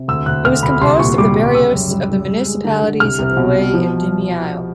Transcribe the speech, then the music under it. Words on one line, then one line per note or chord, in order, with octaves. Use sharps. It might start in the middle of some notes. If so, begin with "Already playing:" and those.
It was composed of the barrios of the municipalities of Loay and Dimiao.
Already playing: C3
D2 E6
D2 F#6
D2 F6
D2 B5
C2 C6
A#2 C#6
G3 D6
G3
C#3 E6
F#2
G3
G3
G#3
G#3
D3
D3
C2 F6
C2
B2
B2
F3